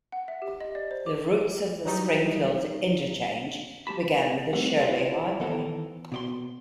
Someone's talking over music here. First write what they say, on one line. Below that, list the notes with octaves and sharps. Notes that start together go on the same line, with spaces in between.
The roots of the Springfield Interchange began with the Shirley Highway.
F#5
E5
G4
D#5
D5
C5
D6
F#3 G3 D#4
G#3 G4 A5 B5
G3 A3 C4 F#5
E4 F4 G#4 C5 C#5 D#5
D#3 E3 B3 A4 A#4 C5
B2 D5 C6